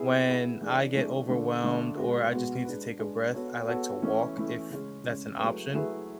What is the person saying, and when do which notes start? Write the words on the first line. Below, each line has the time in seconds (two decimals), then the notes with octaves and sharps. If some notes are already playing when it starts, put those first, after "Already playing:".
when I get overwhelmed or I just need to take a breath, I like to walk if that's an option.
Already playing: B3 E4 G#4
0.26 B3 E4 G#4
0.61 E3 A3 D4 G#4 D5
0.94 E3 A3 D4 G#4 D5
1.29 D3 A3 D4
1.62 D3 A3 D4
1.97 B2 G#3 B3 F#4
2.32 B2 G#3 B3 F#4
2.65 G#3 D4 G#4 B4
2.99 G#3 D4 G#4 B4
3.34 B3 F#4 A4 C#5
3.68 B3 F#4 A4 C#5
4.02 E3 A3 C#4 E4
4.36 E3 A3 C#4 E4
4.70 C#3 G#3 C#4
5.04 C#3 G#3 C#4
5.38 F#3 A3 E4 G#4 B4
5.73 F#3 A3 E4 G#4 B4